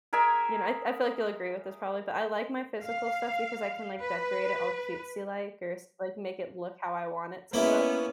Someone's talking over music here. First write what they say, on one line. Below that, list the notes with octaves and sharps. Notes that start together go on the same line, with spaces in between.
you know, I I feel like you'll agree with this probably, but I like my physical stuff, because I can, like, decorate it all cutesy like or s like, or make it look how I want it to look.
G#4 A#4 E5 G#5
F5
B4
A#3 B3 C#4 E4